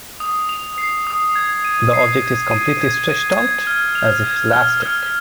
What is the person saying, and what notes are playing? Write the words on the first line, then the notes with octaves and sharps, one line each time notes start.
The object is completely stretched out, as if elastic.
D#6
F7
C7
D#6
G#6
D#7
C7
G#6
D#7
G#6
D#7
G#6
F6
F7
G#6
F6
F6